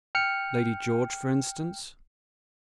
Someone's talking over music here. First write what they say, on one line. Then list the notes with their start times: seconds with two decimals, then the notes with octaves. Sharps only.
"Lady George for instance."
0.15 G5 F6 C#7